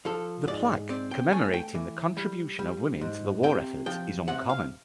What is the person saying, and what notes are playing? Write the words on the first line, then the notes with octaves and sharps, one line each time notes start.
The plaque commemorating the contribution of women to the war effort is "uncommon".
F3 A4
G#2 D5
C4 D5
G5
A3 G#5
G5
E3
G3
G3
G#2
C3 G5
F3 G5
C3 F#5
F5